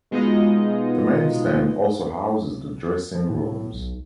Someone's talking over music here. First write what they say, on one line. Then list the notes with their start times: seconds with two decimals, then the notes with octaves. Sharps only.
The main stand also houses the dressing rooms.
0.11 B2 G#3 B3 D#4 F4 D#5
3.15 F3
3.29 A2
3.74 B1